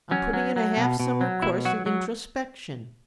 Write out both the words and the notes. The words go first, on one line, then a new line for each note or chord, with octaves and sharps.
I'm putting in a half summer course in Introspection.
F#3 C#4
F#3
F#3
B2
B2
F#3
B2 E4
F#3 F#4
F#3